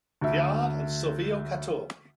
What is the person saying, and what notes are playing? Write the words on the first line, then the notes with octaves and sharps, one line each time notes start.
Theard and Silvio Cator.
D2 E5